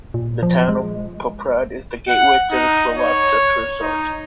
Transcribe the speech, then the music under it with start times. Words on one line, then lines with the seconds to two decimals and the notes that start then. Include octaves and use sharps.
The town of Poprad is the gateway to the Slovak Tatra resorts.
0.14 A#2
0.43 F3
0.69 G#3
2.09 F#5
2.51 D#4
2.97 C#5
3.81 D#4